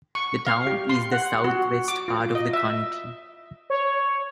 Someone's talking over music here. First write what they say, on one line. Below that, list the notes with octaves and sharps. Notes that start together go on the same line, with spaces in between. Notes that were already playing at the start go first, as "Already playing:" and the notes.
The town is in the southwest part of the county.
C#6
F5
G4
C6
F#5
F#4
D6
F4
D#5
E5
C#5